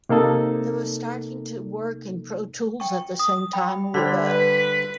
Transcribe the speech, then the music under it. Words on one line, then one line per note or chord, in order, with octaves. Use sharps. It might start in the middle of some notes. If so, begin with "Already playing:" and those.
They were starting to work in Protools at the same time we were.
C3 A#3 D#4 A4
G5 C#6
D#6
G5 B5
D3 G3 C5 D5 C6 B6
B4